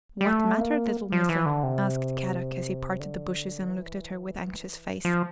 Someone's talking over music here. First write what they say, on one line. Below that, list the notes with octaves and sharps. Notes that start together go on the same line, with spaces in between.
"What matter, little Missa?" asked Kadok as he parted the bushes and looked at her with anxious face.
G3
A3
A#3
F3
E3
D3
C3
D3
E3
F3